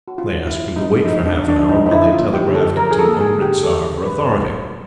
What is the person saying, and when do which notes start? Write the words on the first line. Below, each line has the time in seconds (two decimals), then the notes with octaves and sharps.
They asked him to wait for half-an-hour, while they telegraphed to Umritsar for authority.
0.08 F#4
0.18 C#4 F4
0.47 C#4 E4
0.76 C#4 D#4
1.04 F3 D#4
1.26 D4
1.34 C#4
1.48 D4
1.63 F3
1.69 D#4
1.86 D#4
1.91 D3 E4
2.12 F4
2.20 A#3
2.33 G4
2.48 D3
2.55 A4
2.77 F3 A#4
2.91 G#4
2.99 A4
3.06 A#3
3.21 G#4
3.35 D3
3.42 G4
3.63 F#3 A4
3.92 C#3
4.06 B4
4.21 F#3
4.50 F#3